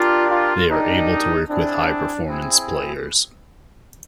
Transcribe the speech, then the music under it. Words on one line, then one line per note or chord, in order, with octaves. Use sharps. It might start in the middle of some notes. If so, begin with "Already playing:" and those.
They are able to work with high performance players.
Already playing: D4 F4 G4 A#4 D5
F4
D4 D#4 G4 A#4 D5
C4 D4 E4 G#4
C4 E4 G#4